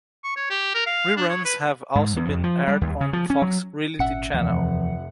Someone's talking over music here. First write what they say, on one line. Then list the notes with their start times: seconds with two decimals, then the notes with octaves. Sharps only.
Reruns have also been aired on Fox Reality Channel.
0.24 C#6
0.36 C#5
0.50 G4
0.74 A#4
0.86 F5
1.17 D4
1.29 C#5
1.45 B4
1.95 G#2
2.16 E2
2.29 F2
2.44 F3
2.68 G3
2.81 D#2
3.01 C#3
3.13 F3
3.30 C#4
3.42 F#3
3.99 G#1 A#2 C#4 E5 F#5 C#7
4.33 F1 D#2 E3 F3